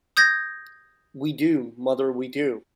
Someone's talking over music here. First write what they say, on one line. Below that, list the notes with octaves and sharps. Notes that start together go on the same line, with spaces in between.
We do, mother, we do!
D#6 G6 G#6 A#6